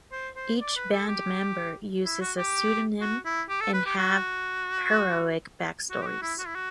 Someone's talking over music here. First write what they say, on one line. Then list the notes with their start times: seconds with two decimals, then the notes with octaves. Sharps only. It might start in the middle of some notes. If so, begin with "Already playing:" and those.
Each band member uses a pseudonym and have heroic backstories.
0.12 C5
0.36 C5
0.61 D5
0.76 B4
0.92 A4
1.08 G4
2.05 E4
2.21 F#4
2.37 G4
3.01 F#4
3.25 E4
3.49 G4
3.61 A4
3.73 B4
3.86 G4
3.98 F#4
5.90 F#4
6.02 G4
6.06 F#4
6.22 E4
6.39 F#4
6.47 E4
6.55 F#4